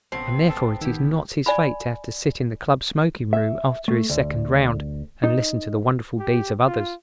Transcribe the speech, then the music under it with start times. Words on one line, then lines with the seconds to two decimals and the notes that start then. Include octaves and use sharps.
And therefore it is not his fate to have to sit in the club smoking- room after his second round and listen to the wonderful deeds of others.
0.12 A#1 C#3 A3 B3 C4
0.50 A4
0.81 D#3 E4 G4
1.46 D5 G#5 B5
3.33 E5
3.88 A3
4.10 D2
5.24 D#4
6.19 G4
6.67 F4